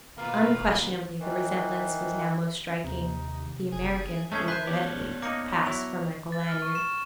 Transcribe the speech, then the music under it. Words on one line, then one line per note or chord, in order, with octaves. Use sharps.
Unquestionably the resemblance was now most striking; the American would readily pass for Michael Lanyard.
B2 D#3 A#3 F4 B4 F5 B5
D#3 E3
D#2 C3 D#4
F#1 G#4
G#3 A3 C#4 G#4 A5 G#6
B4 C5 E5 F#6 G6 B6
B3 G4 C#5 D5
A#3 D#4 D6 A#6 C#7
F#3 E4 F7
A6
F6
C#6
E7